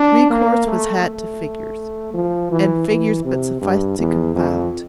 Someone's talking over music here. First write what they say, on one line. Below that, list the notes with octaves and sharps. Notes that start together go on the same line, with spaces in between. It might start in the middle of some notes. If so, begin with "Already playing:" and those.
Recourse was had to figures; and figures but sufficed to confound.
Already playing: D4
A#3
A3
A3
F3
E3
E3
C3
G2
E2
F2